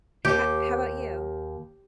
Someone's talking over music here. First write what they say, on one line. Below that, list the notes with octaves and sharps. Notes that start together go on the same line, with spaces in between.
Ho how 'bout you?
D#2 G4